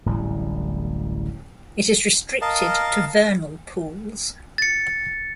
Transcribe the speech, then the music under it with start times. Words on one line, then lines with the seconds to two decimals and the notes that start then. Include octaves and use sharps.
It is restricted to vernal pools.
0.06 D1 A1 A2 G3
2.42 A#4 D#5 F5 A5
4.58 A6 C#7